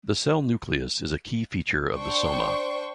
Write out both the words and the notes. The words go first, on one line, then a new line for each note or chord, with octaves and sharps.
The cell nucleus is a key feature of the soma.
D4 C5 G5 C#6